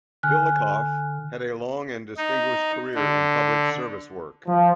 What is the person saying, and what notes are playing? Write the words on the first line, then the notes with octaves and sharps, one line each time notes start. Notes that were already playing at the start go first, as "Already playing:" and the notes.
Billikopf had a long and distinguished career in public service work.
D3 G#5 F6 F#6
D#4
D3
F3